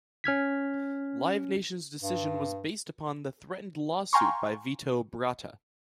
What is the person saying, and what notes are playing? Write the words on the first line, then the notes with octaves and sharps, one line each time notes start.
Live Nation's decision was based upon the threatened lawsuit by Vito Bratta.
C#4 F6 G#6 B6
G2
F5 G5 G#5 A#5 C6 C#6